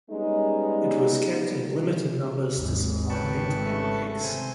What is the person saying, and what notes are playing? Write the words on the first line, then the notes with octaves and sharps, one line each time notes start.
It was kept in limited numbers to supply meat and eggs.
G3 G#3 B3 C#4 D#4
G#1 D#2
C#3 B4 G5 A5 C#6
A3 A4
C3 C5 G#5